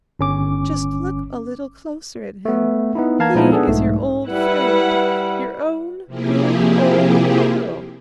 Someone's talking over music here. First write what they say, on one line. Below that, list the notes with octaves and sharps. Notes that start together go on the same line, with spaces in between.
Just look a little closer at him: he is your old friend, your own good old Caro.
G1 C#4 D6
A3 B3
B3 D#4 E4
E3 A#3 F5 A5 A#5 G#6
A#2 F3 G#3 B3 D#4 E4
B3 D4 G#4 A4
B1 G#2 A3
G3 E4 B4 F#5
C3 F3 A#3 E4 G4 G#4